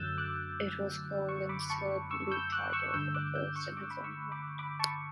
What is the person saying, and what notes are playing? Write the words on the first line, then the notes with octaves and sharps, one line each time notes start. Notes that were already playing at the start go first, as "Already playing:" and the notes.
It was Coughlin's third league title but the first in his own right.
Already playing: F#2 D3 F#3 A3 E6 F#6 G6 A6
D6 F#6
C#6 E6
B5 D6
A5 C#6
C#6 E6
E6 G6
D6 F#6
C#6 E6
G2 D3 A3 E6 G6
D6 F#6
E6 G6
C#6 E6
D6
E6
B5 D6
C#6 E6
B5 D6
B5 D6
A5 C#6